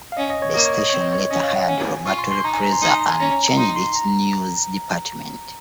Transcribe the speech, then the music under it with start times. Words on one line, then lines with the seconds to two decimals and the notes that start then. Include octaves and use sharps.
The station later hired Roberto Repreza and changed its news department.
0.12 F5
0.17 C#4 D#5
0.30 D#5
0.42 C#5
0.54 A#3 D#5
0.65 C#5
0.78 D#5
0.90 C4 C#5
1.01 D#5
1.13 C#5
1.30 C#4 D#5
1.43 F5
1.56 F#5
1.68 C#4 G#5
2.06 F4 C#6
2.19 C6
2.31 C6
2.44 D#4 A#5
2.53 G#5
2.63 A#5
2.73 C6
2.82 D#4
2.91 C6
3.01 A#5
3.10 G#5
3.20 C#4 A#5
3.57 D#4 C6
3.76 C6
3.95 A#5